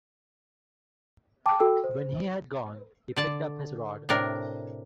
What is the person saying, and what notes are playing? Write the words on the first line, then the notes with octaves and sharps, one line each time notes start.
When he had gone, he picked up his rod.
G5 A5 D6
F#4 A4 G5 E6
C5
D3 D5 A5
A2 C3 D4 A#4